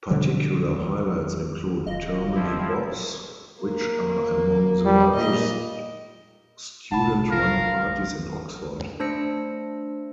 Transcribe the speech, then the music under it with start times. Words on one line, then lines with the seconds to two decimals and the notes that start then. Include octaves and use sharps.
Particular highlights include termly bops, which are among the largest student-run parties in Oxford.
0.10 B2 D3 F3 G3
1.87 D1 F4 D#5
2.35 F3 G3 E4
3.61 A#3
4.85 G3
5.15 A#2 D#5
6.92 F#1 C2 F#5 A5 B5
7.31 A#4 F5
9.00 A3 D4 C5 E6 A#6 C#7